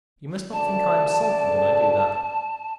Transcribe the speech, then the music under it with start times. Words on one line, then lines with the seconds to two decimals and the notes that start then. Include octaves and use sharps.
You must not think I am sulky when I do that.
0.53 D2 C#3 D5 A5